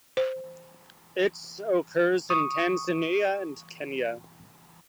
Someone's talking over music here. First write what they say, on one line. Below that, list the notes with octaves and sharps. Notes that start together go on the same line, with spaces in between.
Its occurs in Tanzania and Kenya.
C5
C#6 D#6